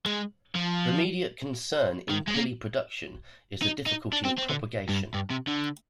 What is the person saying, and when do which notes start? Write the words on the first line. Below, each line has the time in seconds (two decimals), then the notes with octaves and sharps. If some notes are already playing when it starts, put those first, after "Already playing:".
The immediate concern in pili production is the difficulty of propagation.
0.06 G#3
0.55 F3
2.09 D#3
2.27 G#3
2.34 A#3
3.62 D#4
3.86 D#4
4.13 D4
4.25 C4
4.38 C4
4.50 D3
4.89 G2
5.14 G2
5.31 C3
5.48 D3